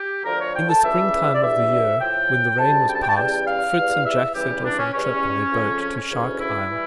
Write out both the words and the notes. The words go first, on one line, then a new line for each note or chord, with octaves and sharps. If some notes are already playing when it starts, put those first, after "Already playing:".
IN the spring time of the year, when the rain was past, Fritz and Jack set off on a trip in their boat to Shark Isle.
Already playing: G4
D2 D3 F3 A#4
C#5
G5
A5
C#2 C#3 E3 G3 E5
D5
E2 D3 G3 E5
A2 F3 G5
D2 C#3 G3 A5
G5
A5
G5
A5
E2 C#3 G3 G5
F5
E2 E3 G3
E5
E2 C#3 E3 G3 G4
D4
C#4
E2 C#3 G3 C#4
F2 C#3 F3
C#4
C#4
D2 C#3 E3
E4
E3 G3